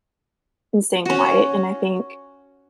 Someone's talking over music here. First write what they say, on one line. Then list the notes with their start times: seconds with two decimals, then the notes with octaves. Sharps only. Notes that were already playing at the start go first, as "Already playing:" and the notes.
and staying quiet, and I think,
1.05 C#4 F#4